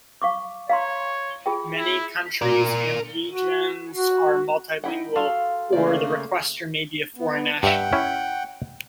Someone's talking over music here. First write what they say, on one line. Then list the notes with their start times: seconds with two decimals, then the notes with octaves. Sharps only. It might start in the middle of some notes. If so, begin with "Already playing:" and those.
Many countries and regions are multi-lingual, or the requestor may be a foreign national.
0.22 F5 C#6 D6
0.69 C#5 F5 A#5 C6
1.46 F4 G#4 G5
1.77 E4
2.42 A#4 D5
3.28 F#4
3.94 F#4
4.84 D#4 E4 F#5 G5 B5
5.15 F#4 A4 F5 C6
5.72 C#3 A3 A#3 D5
7.16 B3
7.63 G2 E5 F#5 G5
7.93 C#4 E4